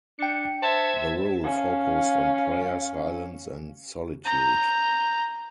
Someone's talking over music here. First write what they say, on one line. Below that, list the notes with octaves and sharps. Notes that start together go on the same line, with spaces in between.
The rule focused on prayer, silence, and solitude.
D4 G5 C#7
C5 E5 A5 G#6
C#4 F5
A#5 G6